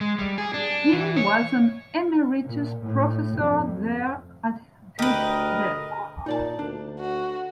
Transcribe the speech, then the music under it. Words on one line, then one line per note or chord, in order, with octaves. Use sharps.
He was an emeritus professor there at this death.
G#3
G3
G#4
D4
E3
C#5
A#2
A2
F2
D2 G4 A#4 B4 D#5
A#2 D#4 D5 A5
D2 D4
F#4